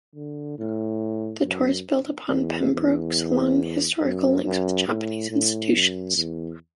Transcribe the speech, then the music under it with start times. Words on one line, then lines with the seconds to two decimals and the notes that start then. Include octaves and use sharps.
The tours build upon Pembroke's long historical links with Japanese institutions.
0.15 D3
0.59 A2
1.44 F#2
2.30 E2
2.73 E2
4.01 F#2
4.44 F#2
4.88 A2
5.30 A2
5.73 F#2
6.16 E2